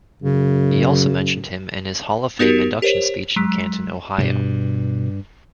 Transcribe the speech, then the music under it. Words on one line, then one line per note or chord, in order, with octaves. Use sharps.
He also mentioned him in his hall of fame induction speech in Canton, Ohio.
F#2 C#3
B3 D#4 F#4 G4 A#4
G4 A#4 C5 C#5
F#3 G#3 B6
G2 B2